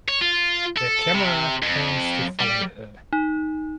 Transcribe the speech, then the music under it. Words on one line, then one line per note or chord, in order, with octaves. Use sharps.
The camera pans to follow her.
C#5
F4
A4
C3
F2
G3
D#4